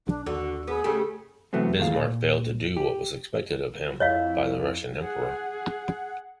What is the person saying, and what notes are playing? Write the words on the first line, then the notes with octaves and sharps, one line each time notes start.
Bismarck failed to do what was expected of him by the Russian emperor.
B1 D4
D#2 D3 F#4
B3 G#4 B4
C#3 A3 G4
C3 E3 F#3 A3 B3 C4
A2 D#3 A#3 G#4 A4 F5
A#2
G4
F2 E4 C#5 D#5 F5
G#4 F#5